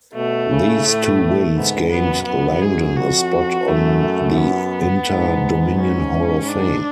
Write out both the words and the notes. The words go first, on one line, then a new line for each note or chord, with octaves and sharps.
These two wins gained Langdon a spot on the Inter Dominion Hall of Fame.
B2 A3
C#3
A2
G#2 B3
F#2 B3
F#2 B3
F#2 G#4
F2 F#4
F#2 A3
B3
G#2
C#4
D4